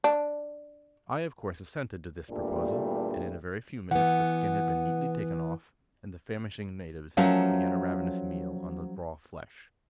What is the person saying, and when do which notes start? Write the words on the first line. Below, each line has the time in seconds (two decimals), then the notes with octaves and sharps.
I of course assented to this proposal, and in a very few minutes the skin had been neatly taken off, and the famishing natives began a ravenous meal on the raw flesh.
0.04 D4
2.31 E2 G2 A#2 G3 A3 D4
3.91 E3 B3 F#5
7.17 F3 F#3 A3 C#4 A#4 A5